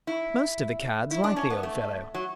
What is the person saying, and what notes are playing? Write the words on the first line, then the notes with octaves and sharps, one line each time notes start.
Most of the Cads like the Old Fellow.
E4
E4
D4
C#4
B3
A3
F#3